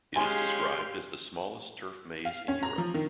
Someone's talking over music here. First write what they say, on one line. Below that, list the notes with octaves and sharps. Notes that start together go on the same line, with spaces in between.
It is described as the smallest turf maze in Europe.
G#3 C#4 G4 F5 G#5 C6
F5
C#4
A#5
F3
D#3